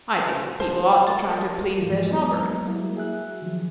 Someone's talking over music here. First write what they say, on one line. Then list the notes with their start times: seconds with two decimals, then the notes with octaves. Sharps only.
"I think the people ought to try to please their sovereign."
0.17 E3 F3 F#4
0.60 C5 A5
1.07 G3 A#4 A6
1.81 F2 G#2 E3 F3 G#3 F4
2.09 F#3 G#3 A#3 B3
2.67 F#3 G3 A#3 E4
2.96 F#4 G#4 E5 F#6
3.42 D#3 F3 F#3